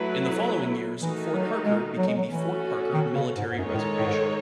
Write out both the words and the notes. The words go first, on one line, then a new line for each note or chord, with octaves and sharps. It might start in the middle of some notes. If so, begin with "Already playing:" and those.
In the following years, Fort Harker became the Fort Harker Military Reservation.
Already playing: F#3 A3 E4 B4
D#3 E3 A3 D#4 F#4
F#3
G#3
F#3
G#3
F#3
E3 A3 C#4 F#4 A4
D#3
C#3
G#2
G#2
F#2 D#3 G#3 D#4 A4 C#5
A2
A2
G#2